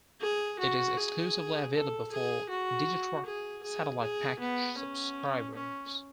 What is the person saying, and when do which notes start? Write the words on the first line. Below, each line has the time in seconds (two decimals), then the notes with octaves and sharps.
It is exclusively available for Digiturk satellite package subscribers.
0.21 G#4
0.59 F#4
0.97 G#4
1.73 A4
2.12 G#4
2.49 F#4
3.26 G#4
3.63 G#4
4.01 G#4
4.40 B3
4.78 C#4
5.54 C#4